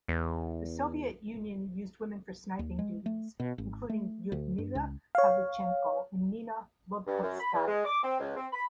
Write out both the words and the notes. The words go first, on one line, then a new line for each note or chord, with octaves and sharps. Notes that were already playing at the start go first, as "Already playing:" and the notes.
The Soviet Union used women for sniping duties, including Lyudmila Pavlichenko and Nina Lobkovskaya.
E2
D#2
G#3
A3
B2
G#1
A3
D2
G2
C#2
C#5 F5
G2
F#2
B5
E2
G#3
D6
C4
C#2
C4
B5